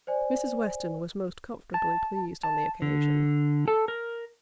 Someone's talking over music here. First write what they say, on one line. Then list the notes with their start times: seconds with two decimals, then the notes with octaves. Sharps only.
Mrs. Weston was most comfortably pleased on the occasion.
0.07 C5 D5 G#5
1.74 A5
2.43 A5
2.82 D3
3.68 A4
3.88 A#4